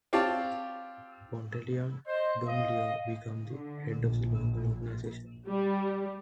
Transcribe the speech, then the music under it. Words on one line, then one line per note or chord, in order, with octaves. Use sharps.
Pantaleon Dumlao became the head of the local organization.
C4 F4 G4 C#5 D5 A5
C5 D#5
D#5 F5
D3
A#1
G3